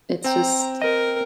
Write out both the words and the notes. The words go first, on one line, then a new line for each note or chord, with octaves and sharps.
it's just
C4 G5 A#5
A#4 D#5